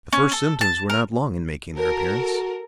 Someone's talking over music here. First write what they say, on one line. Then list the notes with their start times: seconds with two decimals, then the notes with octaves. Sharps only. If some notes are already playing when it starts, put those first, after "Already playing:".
The first symptoms were not long in making their appearance.
0.13 C#4
0.32 A4
0.61 A5
0.90 A#4
1.75 F#4 A4 A#4